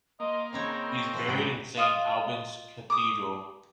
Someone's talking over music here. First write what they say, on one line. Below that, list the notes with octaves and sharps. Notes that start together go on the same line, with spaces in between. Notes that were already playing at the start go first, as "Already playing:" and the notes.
He is buried in Saint Albans Cathedral.
A#3 D#5 C6
C#3 C4 D#4 C#5 B5
C#6
F3 B4
G#2 F#3 F#4 G4 D5
F4 D#5 F5 D#6
D6 D#6